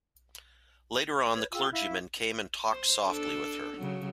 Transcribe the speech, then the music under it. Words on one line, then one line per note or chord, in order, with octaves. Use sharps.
Later on the clergyman came and talked softly with her.
B4 C#5 G#6
F4 G#4 G5 E6
E4 F5
C5
D4 A4
C#3 F#3